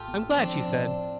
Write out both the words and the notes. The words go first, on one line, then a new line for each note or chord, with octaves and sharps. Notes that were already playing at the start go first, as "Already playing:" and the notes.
"I'm glad," she said.
Already playing: A1 F4 G4 A4
B3
C4
F3 D4
A2